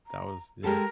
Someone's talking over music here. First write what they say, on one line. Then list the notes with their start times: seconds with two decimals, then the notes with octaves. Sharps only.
That was yeah.
0.06 A#5
0.64 G#3 G4 A4 A#4